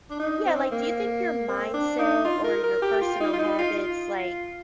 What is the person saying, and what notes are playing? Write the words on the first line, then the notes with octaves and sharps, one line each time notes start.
yeah, like do you think your mindset or your personal habits, like,
D4
D#4
C4
A#3
C4
D4
D#4
F4
A#4
A#4
G4
F4
D#4
F4
D#4
F4
F4